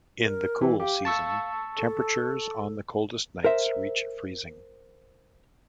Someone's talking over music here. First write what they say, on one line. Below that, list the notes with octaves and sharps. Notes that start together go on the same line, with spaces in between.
In the cool season, temperatures on the coldest nights reach freezing.
A#4
E3
G4 F5
A5 C#6 E6
A4
A#4 C5 E5